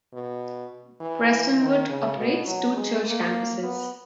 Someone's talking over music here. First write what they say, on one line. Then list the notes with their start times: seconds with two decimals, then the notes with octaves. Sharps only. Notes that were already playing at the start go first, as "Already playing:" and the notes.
Prestonwood operates two church campuses.
0.13 B2
1.01 E3
1.59 D#3
1.88 C#3
2.17 B2
2.46 F#3
2.75 G#3
3.05 A#3
3.63 B3